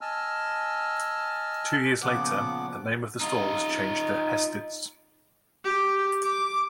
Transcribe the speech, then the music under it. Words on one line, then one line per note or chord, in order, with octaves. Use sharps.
Two years later, the name of the store was changed to Hested's.
D#5 G#5 A5 E6 F6
A#2 C#3 F3 B3 F#5 D6
D#4 F4
G4
D6